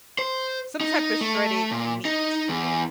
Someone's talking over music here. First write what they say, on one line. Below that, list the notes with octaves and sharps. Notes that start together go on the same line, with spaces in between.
Some type of shredded meat,
C5
D#4
A3
A#2
D#4
E2